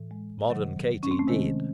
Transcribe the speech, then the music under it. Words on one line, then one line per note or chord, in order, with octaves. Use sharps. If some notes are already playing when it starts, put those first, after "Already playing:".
Modern Katie did.
Already playing: A2 E3
G#3
C3 D#3 F#3
C#4
C4
A3
C3 D#3 G#3